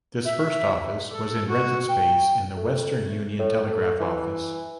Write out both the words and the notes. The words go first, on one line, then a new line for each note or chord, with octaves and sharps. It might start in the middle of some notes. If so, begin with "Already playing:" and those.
This first office was in rented space in the Western Union Telegraph office.
E5
A4
F#4
G5
A3
A2
A3
E3